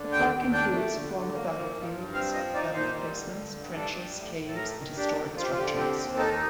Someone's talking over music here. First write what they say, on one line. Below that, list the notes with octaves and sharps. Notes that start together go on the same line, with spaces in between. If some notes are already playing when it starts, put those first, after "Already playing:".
The park includes former battlefields, gun emplacements, trenches, caves, and historic structures.
Already playing: D3
D#2 G5
D#2
D4 G5
A3
D3
D3
A#3
F3
G2
G2
C4 F5
F3 D#5
D#4 D5
A#2 C5
G3
D3
G2
G2
D4 A4
G3
A2
A2
A4
A3 A#4
D#3
D4 G4
F2
F3 F4
G4
F4
D3 G4
F4
C4 G4
D#2
D#4 A4